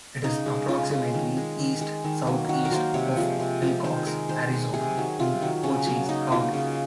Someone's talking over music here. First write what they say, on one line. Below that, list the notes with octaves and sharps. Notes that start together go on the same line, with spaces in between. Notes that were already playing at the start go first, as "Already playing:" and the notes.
It is approximately east-southeast of Willcox, Arizona, in Cochise County.
C#3 D#4
G#3
C#3 F4
G#3
D#3
G#3
D#3
G#3
D#3
F#3 A#3
D#3 F#4
A#4
F#3 A#3 C5
C3 C#5
F3 G#3
C3
F3 G#3
D#3 C5
G#3 A#4
D#3 C5
G#3
C3 G#4
D#3 F#3
C3 F4
D#3 F#3
C#3 C#4
F#3 A#3
C#3 D#4
F#3 A#3 F4
C#3